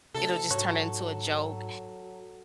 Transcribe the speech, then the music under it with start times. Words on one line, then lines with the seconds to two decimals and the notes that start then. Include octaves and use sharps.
it'll just turn into a joke.
0.14 D2 C3 A4
0.51 G#2 F#3 F#4 C#5